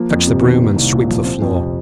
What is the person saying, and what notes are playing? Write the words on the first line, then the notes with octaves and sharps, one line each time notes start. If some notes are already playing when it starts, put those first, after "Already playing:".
Fetch the broom and sweep the floor.'
Already playing: F3 A#3
F2
C3
D#3
A#3
C2
A#2
F3
C4
F2
C3